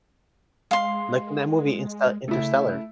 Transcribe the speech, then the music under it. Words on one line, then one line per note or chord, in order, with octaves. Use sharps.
Like in that movie, Insta Interstellar.
G#3 F5 C6
C#3 A3 E4